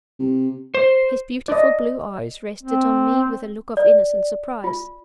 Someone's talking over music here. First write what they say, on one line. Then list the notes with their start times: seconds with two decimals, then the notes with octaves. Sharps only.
His beautiful blue eyes rested on me with a look of innocent surprise.
0.19 C3
0.74 C5
1.48 D5 D#5
2.63 C4
3.77 D5
4.64 F4